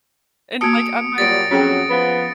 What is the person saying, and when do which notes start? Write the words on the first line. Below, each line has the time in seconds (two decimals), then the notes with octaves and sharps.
and, like, on my
0.61 A#3 F#4 A5 D#6 C#7 D7
1.18 A#2 F#3 G3 A6 A#6 D7
1.51 F2 F#3 C#4 G#4 G5
1.90 F3 B3